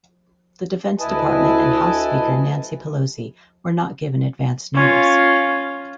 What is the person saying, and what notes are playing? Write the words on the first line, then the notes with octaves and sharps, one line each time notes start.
The Defense Department and House Speaker Nancy Pelosi were not given advance notice.
D2 E4 B4 D#5 G#5 A5
C#4 F4